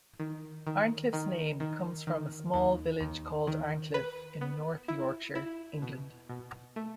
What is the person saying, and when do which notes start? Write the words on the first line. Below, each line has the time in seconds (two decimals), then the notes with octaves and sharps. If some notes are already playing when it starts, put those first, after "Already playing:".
Arncliffe's name comes from a small village called Arncliffe in North Yorkshire, England.
0.20 D#3
0.67 D#3
1.13 D#3
1.60 D#3
2.07 D#3
2.54 D#2
3.01 D#2
3.47 D#3
3.94 B4
4.41 B3
4.88 E4
5.35 E4
5.82 B2
6.29 B2
6.76 A3